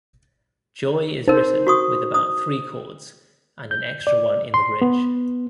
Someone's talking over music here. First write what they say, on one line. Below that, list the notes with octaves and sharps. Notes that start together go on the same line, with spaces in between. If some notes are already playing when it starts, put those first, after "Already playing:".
"Joy" is written with about three chords, and an extra one in the bridge.
D#4 A#4 C5
F#4 C#6 D#6
D#6
G6
D5
C6
B3